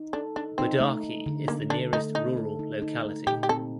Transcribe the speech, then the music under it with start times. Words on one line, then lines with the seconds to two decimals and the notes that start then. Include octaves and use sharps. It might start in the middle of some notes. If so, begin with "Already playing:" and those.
Budarki is the nearest rural locality.
Already playing: D#4
0.13 D4 A4
0.36 D4 D#4
0.58 C4 D#4
0.80 A3
1.03 A3
1.26 D3
1.48 A3 A#3
1.70 D4 A4
1.92 A3 D#4
2.15 D#4 A4
2.37 A4
2.59 D#4
2.82 D#4
3.05 A3
3.27 A#2 G4
3.43 G4
3.49 C4 A4